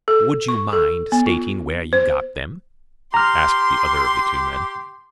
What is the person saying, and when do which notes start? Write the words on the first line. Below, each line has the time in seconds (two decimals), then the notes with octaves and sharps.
"Would you mind stating where you got them?" asked the other of the two men.
0.08 A4
0.48 C#6
0.73 A4
1.12 B3
1.26 F4
1.93 C5
3.14 G4 A#5 C6 F6